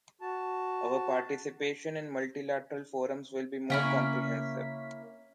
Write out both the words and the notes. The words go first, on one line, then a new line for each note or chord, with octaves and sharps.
Our participation in multilateral forums will be more comprehensive.
F#4 A5
C#3 A#3 C#4 E4 B6